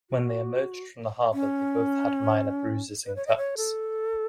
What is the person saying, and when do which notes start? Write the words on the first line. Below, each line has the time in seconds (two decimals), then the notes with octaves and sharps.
When they emerged from the harbour they both had minor bruises and cuts.
0.10 F#4
1.33 C#4
3.06 B4
3.16 C#5
3.27 D#5
3.37 C#5
3.57 A4